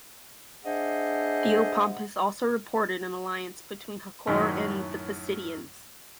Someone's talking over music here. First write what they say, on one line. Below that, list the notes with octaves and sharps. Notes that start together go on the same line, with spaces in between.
Theopompus also reported an alliance between Hakor and the Pisidians.
D4 G#4 C5 D#5 E5 F#5
F#2 A2 D#3 F#3